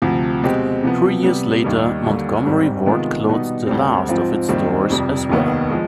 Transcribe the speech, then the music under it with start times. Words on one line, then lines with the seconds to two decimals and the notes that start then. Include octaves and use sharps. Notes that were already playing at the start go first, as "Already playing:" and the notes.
Three years later, Montgomery Ward closed the last of its stores as well.
0.02 D2 C3 F3
0.42 B2 G#3 C4 G4
0.83 C3 F3 B3
1.23 C3 G3 B3
1.64 D#2 D#3 G3
2.05 D#2 D3 G3
2.45 G#1 G#2 G3 C4
2.86 C3 D#3 G#3 B3 F4
3.27 B2 G3 B3 D#4
3.67 D2 D3 G3 C4
4.08 G#2 F3 C4 F4
4.49 D#2 D#3 G3 C4
4.89 F1 F2 C3 G3
5.30 F1 D#2 D#3 B3
5.70 F3 G#3